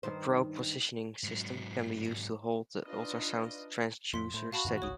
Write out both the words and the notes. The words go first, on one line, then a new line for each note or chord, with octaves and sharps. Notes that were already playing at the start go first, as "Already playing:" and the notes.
A probe positioning system can be used to hold the ultrasound transducer steady.
G2 D#3 C5
G#2 F#3
D4 D#4 F4 B4 D#5
F2 C6 B6
A2 E4 C5
F#4 F5 A5 B5
F#2 A2 D#3
G#1 C#2 C#5 D#6